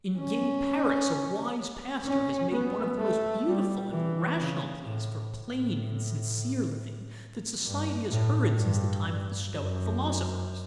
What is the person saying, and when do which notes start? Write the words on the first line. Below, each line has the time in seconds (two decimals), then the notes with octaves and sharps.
In gay Paris, a wise pastor has made one of the most beautiful and rational pleas for plain and sincere living that society has heard since the time of the stoic philosophers.
0.19 C#4
2.05 C#4
2.51 B3
2.98 A3
3.45 G3
3.91 E3
4.38 C#3
4.84 A2
5.31 A2
7.64 G2
8.10 A2
8.57 G2
9.50 F#2